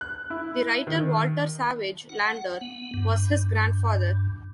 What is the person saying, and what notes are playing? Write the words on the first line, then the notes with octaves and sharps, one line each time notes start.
The writer Walter Savage Landor was his grandfather.
F#6
E4
D#3
F#5
B3
G2